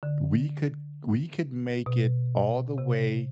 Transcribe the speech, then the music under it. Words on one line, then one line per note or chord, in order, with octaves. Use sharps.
we could we could make it all the way
D3
B2
C3